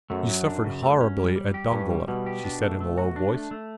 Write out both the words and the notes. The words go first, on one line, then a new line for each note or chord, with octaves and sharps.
"You suffered horribly at Dongola," she said in a low voice.
F#2 A3
F#3
D4
C#3
A3
C#4
G3
G3
G4
G2 C#4
G3
B2 G3
G4
D4
A3
A3
F#4
D4
A3
A3